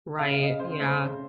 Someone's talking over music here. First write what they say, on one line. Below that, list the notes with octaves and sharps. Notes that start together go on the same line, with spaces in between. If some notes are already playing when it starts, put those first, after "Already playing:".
Right, yeah.
C#3 F5
C#3 D#5
C4 C5
A3 C5
C#3